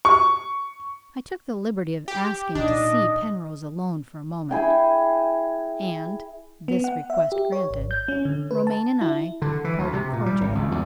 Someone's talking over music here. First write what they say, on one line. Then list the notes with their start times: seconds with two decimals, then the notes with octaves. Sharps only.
I took the liberty of asking to see Penrose alone for a moment; and, this request granted, Romayne and I parted cordially.
0.05 C#6
2.08 G4
2.55 A#2 D#3 D4 D#5
4.51 E4 G#4 G5
6.68 B3
6.84 F#5
7.10 E5
7.32 G4
7.52 C#5
7.71 G#1
7.91 G6
8.08 C#4
8.25 D3
8.51 B4
8.67 A5
9.01 E4
9.42 D3
9.64 E3
9.79 D2
9.93 C3
10.13 A#2
10.26 G3
10.41 G#1
10.55 C#2
10.71 E2